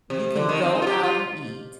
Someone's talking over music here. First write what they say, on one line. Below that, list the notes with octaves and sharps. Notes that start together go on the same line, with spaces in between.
you can go out and eat,
C3
D3
D#3
C4
D#4
F4
G4
F4